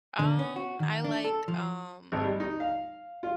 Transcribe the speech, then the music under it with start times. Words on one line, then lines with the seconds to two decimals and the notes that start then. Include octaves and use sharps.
Um, I liked, um
0.19 D3
0.39 C#4
0.56 F#4
0.80 D#3
1.04 D4
1.24 A4
1.48 F3
2.12 G#1
2.24 G3
2.40 D#4
2.60 F5
3.23 F4